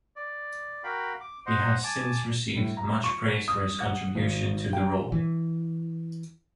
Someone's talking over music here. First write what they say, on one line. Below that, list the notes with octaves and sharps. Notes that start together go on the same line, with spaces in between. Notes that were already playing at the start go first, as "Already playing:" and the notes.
He has since received much praise for his contribution to the role.
D5
F#4 A#4 F5 G5 B5
D6
C5 D#5 F#5 C6
G#5 A5 D6
A2
A#5
C#6
D#6
F#5
G#1
G5
E3